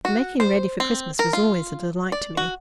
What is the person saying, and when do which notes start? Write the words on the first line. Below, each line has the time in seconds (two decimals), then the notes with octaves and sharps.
The making ready for Christmas was always a delight to me.
0.05 F#4
0.40 C5
0.80 C4
1.19 A#4
1.33 F4
2.12 D5
2.37 F#4